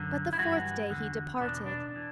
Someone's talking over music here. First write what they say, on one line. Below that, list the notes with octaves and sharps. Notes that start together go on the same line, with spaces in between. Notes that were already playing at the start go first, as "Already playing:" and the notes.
But the fourth day he departed!
Already playing: F#2 D3
E4
G2 E3 F#4
E2 D3
E2 B2 D4
D4
E3